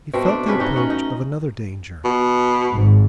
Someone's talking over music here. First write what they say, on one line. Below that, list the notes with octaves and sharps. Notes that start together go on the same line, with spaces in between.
He felt the approach of another danger.
B2 A3 C4
D4 D5
C3 C#4 B4
C#4 D#4 F#4
C#4 F#5
D#4
B2
G#1 G#2